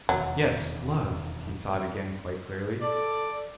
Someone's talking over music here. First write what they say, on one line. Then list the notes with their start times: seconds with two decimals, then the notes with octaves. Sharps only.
"Yes--love," he thought again quite clearly.
0.09 E1 D#2 F#3
2.81 A4 D5